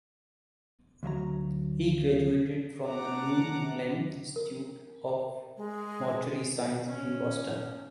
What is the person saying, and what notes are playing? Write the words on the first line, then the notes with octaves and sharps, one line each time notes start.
He graduated from the New England Institute of Mortuary Science in Boston.
D2 F#3 E5 A#5
A#3 D4 F#5 A#5 D6 F#6
A#4
G#3
C#4